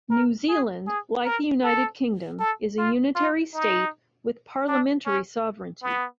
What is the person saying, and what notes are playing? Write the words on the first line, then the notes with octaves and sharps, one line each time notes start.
New Zealand, like the United Kingdom, is a unitary state with parliamentary sovereignty.
A#4
G#4
G#4
A#4
A4
A4
F4
F4
D#4
D4
C#4
B3